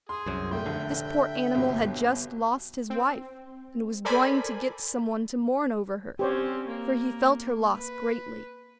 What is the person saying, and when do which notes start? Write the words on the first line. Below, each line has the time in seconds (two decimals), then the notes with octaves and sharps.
This poor animal had just lost his wife, and was going to get some one to mourn over her, for he felt her loss greatly.
0.09 G#4 C6
0.26 C2 F#2
0.51 A#2 A3 A#3 E5 G5
0.66 F1 D3
1.55 G1 C2 B2
2.90 C4
4.05 A4 A#4 C5 D5 G#5 B5
6.19 C4 C#4 G4 C5 C#5
6.68 A#3
7.76 B4